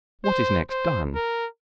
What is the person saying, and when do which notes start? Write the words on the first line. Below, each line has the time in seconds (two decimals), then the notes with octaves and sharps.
What is next done?
0.24 C5
0.70 C5
1.15 A#4